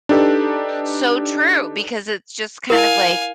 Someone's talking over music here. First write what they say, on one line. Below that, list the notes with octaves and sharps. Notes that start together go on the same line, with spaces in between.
so true because it's just kind of like,
D4 D#4 G4 A4 B4
E4 A#4 F5 G#5